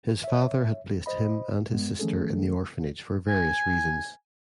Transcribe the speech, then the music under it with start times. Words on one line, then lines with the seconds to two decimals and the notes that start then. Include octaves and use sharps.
His father had placed him and his sister in the orphanage for various reasons.
0.24 C#5 E5
0.85 F#2
1.06 C5 D#5 B5
1.72 G2 G#3 B3
1.99 D#3 F3 A3 C#4 G#4 A4
3.28 G#5